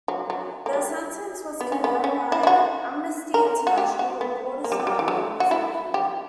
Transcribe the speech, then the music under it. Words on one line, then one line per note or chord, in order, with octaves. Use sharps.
The sentence was condemned by Amnesty International, Reporters without Borders and media.
F#3
F#3
A#3
G3
B3
C#4
B3
C#4
E4
E4
F#4
A#4
F#4
G4
F#4
B3
A#3
G3
F#3
G3
E3
F#3
F#4
E4
G4